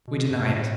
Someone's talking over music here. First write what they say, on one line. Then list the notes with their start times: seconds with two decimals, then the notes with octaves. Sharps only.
We deny it.
0.07 B2
0.30 G2
0.45 A#2
0.52 A2